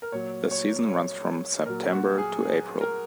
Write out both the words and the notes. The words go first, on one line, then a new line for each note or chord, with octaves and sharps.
The season runs from September to April.
A#4
A#2 F#3 C#5
C#5
C#5
A#2 F#3 A#4
F#4
G#4
G#4
A#4